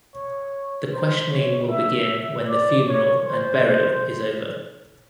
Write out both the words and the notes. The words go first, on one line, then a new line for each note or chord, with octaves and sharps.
The questioning will begin when the funeral and burial is over.
C#5
C5
C#5
E5
D5
C#5
C5